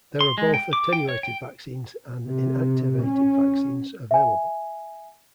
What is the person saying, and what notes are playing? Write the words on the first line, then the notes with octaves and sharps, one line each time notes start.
There are both attenuated vaccines and inactivated vaccines available.
C6
G#3
G5
D6
G5
C#5
G5
C3
C#4
E5 G#5